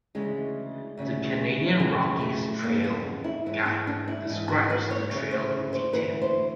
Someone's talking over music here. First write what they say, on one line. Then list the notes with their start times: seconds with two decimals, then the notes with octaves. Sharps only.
"The Canadian Rockies Trail Guide" describes the trail in detail.
0.15 D2 C#3 E3 G#3
0.97 D2 C#3 E3
1.79 F2 C#3 E3 G#3
2.21 A3
2.62 F2 C#3 E3 A#3
2.84 B3
3.24 E4
3.46 G#2 E3 E4
3.66 E4
3.87 D4
4.08 E4
4.28 G#2 E3
4.48 F#4
4.70 B4
4.91 C#5
5.10 D2 C#3 E3 C#5
5.31 C5
5.73 C5
5.93 D2 C#3 E3 B4
6.22 C5